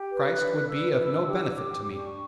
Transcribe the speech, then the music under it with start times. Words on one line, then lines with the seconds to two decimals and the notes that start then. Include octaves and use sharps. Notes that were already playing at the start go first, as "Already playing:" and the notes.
Christ would be of no benefit to me.
Already playing: G4
0.11 B4
0.25 F#6
0.40 D4
0.69 B4 E6
0.98 D4
1.26 G4
1.55 G4 D6
1.84 D4
1.98 C#6